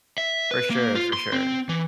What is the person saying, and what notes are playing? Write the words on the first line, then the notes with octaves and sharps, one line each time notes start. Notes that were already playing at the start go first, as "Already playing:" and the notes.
For sure, for sure.
E5
B4
A#3
F4
C6
C4
E3